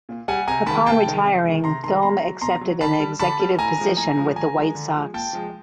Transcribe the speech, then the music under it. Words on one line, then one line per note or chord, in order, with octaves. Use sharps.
Upon retiring, Thome accepted an executive position with the White Sox.
A#2
G3 F#5 G#5
C3 G#5 A#5
D#3 G#3 A5 B5
C3 G5 A5
D#3 G#3
C3
D#3 G#3
C3 A#5 C6
D#3 G#3 A#5 C6
B2 A#5 C6
F#3
B2 A#5 C6
F#3
D3 A5 B5
G3
D3 A5 B5
G3
A2 G#5 A#5
F3 G#3
A2 G#5 A#5
F3 G#3
D3 G#5 A#5
F3 G#3
D3
F3 G#3
A#2 G5 A5
F3 G#3